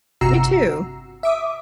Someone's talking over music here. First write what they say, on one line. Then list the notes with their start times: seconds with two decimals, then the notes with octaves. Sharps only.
You, too.
0.21 G1 C3 F#4 A#5 E6 C7
1.23 E5 D6 D#6